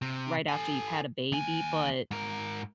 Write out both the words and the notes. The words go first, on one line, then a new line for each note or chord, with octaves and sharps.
right after you've had a baby. But,
C3
A4 G#5
D#2 G#5
G#2 A#4